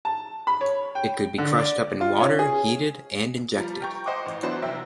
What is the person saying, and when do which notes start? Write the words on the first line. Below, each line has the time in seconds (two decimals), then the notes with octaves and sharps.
It could be crushed up in water, heated and injected.
0.05 A5
0.47 B5
0.61 C#5
0.95 G5
1.38 D3
1.57 D5
2.01 F4
2.20 C#4
2.39 G#4
3.56 F3 G3 A#5
3.82 G5 A#5 C#6 G6
4.06 C5 D#5 F#5 G5 D6
4.26 A1
4.43 E3 F#3 B3 D4 F#4 C5
4.62 F1 F#3 E5 G5